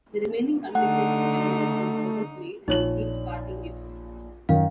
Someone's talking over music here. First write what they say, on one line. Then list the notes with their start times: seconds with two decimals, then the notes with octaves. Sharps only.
The remaining contestant was eliminated from further play and received parting gifts.
0.75 D3 A3 D#4 F#5
2.68 A#1 D#4 C#5 F#7
4.49 F#2 D#3 F5